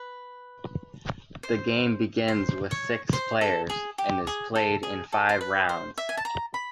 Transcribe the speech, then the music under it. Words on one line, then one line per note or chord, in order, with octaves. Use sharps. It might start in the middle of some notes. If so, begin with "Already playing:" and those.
The game begins with six players and is played in five rounds.
Already playing: B4
C5
C5
C#5
C5
A4
G#4
G4
G#4
A4
G#4
A4
C5
B4
C5
E5
G#5
A5
A#5
B5